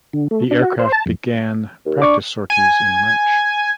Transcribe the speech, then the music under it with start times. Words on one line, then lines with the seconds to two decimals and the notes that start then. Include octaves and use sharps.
The aircraft began practice sorties in March.
0.13 D3
0.31 A3
0.51 D4
0.62 F#4
0.79 C5
0.92 A5
1.06 F2
1.86 D#2
2.02 D4 C#6 D6
2.50 G#5